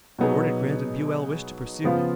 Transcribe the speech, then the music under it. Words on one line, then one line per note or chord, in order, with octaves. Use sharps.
Nor did Grant and Buell wish to pursue.
B2 F#3 B3 D#4 G#4
C#3 F3 B3 F4